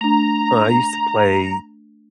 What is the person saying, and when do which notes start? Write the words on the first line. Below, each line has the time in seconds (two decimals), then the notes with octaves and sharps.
I used to play,
0.01 A3 D4 A#5